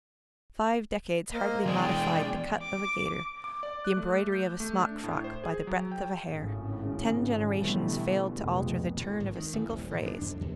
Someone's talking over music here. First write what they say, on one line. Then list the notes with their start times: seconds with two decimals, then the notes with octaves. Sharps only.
Five decades hardly modified the cut of a gaiter, the embroidery of a smock-frock, by the breadth of a hair. Ten generations failed to alter the turn of a single phrase.
1.32 A#3 C5 D#5
1.66 E2 G#3 G#4 D5 G5
2.62 D6
3.44 D6
3.63 D5
3.85 F#6
3.97 A3
4.32 G6
4.60 A3
4.79 D4
5.03 A2
5.24 C5
5.44 G#4
5.67 F#3
5.92 G5
6.28 G#1 A2 C#3
7.59 B2 D3 E3 G3 A3 B3
8.34 F1 C#2 B2 G#3
8.97 A2
9.20 G#1
9.35 D#3
9.53 A1
9.68 D#1
9.90 G#2
10.06 D4
10.21 F2
10.41 D#2